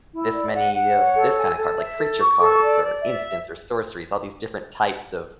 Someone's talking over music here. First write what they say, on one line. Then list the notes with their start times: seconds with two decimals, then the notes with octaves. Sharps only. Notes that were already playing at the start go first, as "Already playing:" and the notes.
this many of this kind of card," like, creature cards or instants or sorceries, all these different types of
0.12 E4
0.32 D5
0.53 F#5
0.73 F#5
0.94 C#5
1.15 A4
1.36 G#5
1.57 A4
1.78 E5
1.98 A4
2.18 C#6
2.40 A4
2.61 D5
2.82 D5
3.02 E5